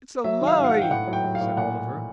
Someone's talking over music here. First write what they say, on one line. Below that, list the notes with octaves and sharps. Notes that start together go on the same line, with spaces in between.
'It's a lie!' said Oliver.
F#3 E5
D#3
F5
G#2
F5
G#2 F#5
G5
A2 F#5
F#3
G5
F#3
F5
A2
G5
A#2 F#5